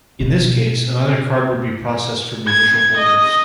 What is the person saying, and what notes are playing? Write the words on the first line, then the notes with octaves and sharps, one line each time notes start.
In this case, another card would be processed from the initial holders.
B2
G#6
D#5